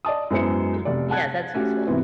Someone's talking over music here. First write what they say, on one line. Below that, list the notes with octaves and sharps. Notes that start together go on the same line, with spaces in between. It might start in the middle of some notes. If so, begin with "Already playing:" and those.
Hmm. Yes. That's useful.
D5 D#5 A5 D#6
F#2 G#3 B3 E4 C5 C#7
F1 D5
F#5 A5 F#6 G#6
A3 C#4 F#4 G4
G#2 C3 E3 B3 C4